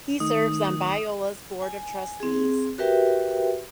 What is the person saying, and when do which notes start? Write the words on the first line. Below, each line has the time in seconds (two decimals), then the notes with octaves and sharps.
He serves on Biola's Board of Trustees.
0.20 D#3 A3 D#4 D#6
1.62 G#5
2.20 C4 G#4
2.78 F#4 G4 A#4 B4 E5 G5